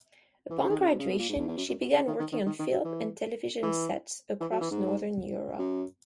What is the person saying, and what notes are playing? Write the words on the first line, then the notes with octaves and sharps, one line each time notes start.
Upon graduation she began working on film and television sets across northern Europe.
E3
C#3
D#3
C#3
B2
C#3
B2
A#2
G#2
E2
E2
F#2
F#2
B2
C#3
D#3
D#3
D#3
D#3
D#3
F#3
E3
E3
E3
F#3
E3
G#2
F#2